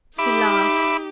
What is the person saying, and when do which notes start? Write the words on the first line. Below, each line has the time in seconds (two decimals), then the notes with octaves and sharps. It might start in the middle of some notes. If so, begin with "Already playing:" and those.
She laughed.
0.18 D#4 G4 E5 B5 D6